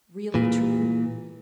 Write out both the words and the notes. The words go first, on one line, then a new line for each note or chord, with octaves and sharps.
"Really true?"
A#2 E3